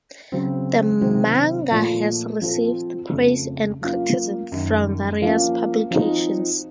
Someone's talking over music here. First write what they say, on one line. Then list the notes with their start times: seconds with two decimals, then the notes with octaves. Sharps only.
The manga has received praise and criticism from various publications.
0.32 C#3 F#3 C4
1.01 C3 D#3 F#3 C4 F#4
1.71 A#2 F3 A3
2.42 F3 C4 F#4 A4 C5
3.11 F2 C#3 A3 C4
3.81 F#3 A#3 C#4 F4
4.52 F#2 D#3 F#3
5.22 F3 A#3 C#4
5.91 F3 C4 D#4 F#4